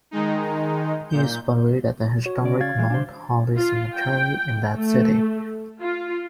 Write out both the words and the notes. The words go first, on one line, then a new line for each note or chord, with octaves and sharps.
He is buried at the historic Mount Holly Cemetery in that city.
D#3 G#3 D#4
A#2 G6
F#4 C#5
C#3 C#4 D5
F5 G#6 A6
G#2 E3 G#3
D4 C5
F4
G5
A3
F4